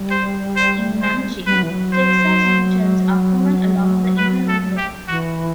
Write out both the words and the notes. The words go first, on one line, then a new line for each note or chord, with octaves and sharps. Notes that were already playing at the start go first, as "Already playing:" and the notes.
In Nanjing, Texas U-turns are common along the Inner Ring Road.
Already playing: G3
C5
C5
C5
G3 B4
F#3
E3
F#3
C5
B4
A4
G4
E3 F#4